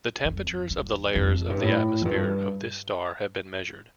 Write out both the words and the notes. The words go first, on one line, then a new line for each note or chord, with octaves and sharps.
The temperatures of the layers of the atmosphere of this star have been measured.
F2
E2
F2
G2
A2
F2
G2